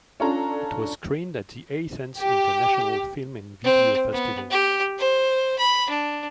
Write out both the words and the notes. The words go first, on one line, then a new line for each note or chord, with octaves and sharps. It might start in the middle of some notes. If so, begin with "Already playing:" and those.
It was screened at the Athens International Film and Video Festival.
C#4 D4 F4 A4 A#5
G4
C4
B3
G4
C5
B5
D4